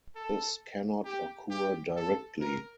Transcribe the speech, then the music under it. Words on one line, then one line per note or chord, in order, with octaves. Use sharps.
This cannot occur directly.
A4
G4
G4
A4
A#4